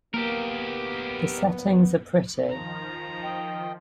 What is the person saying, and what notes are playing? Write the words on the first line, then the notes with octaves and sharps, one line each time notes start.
The settings are pretty.
D1 A#3 B3 G4 A#4
D#3 F3 A#5
D#5 G5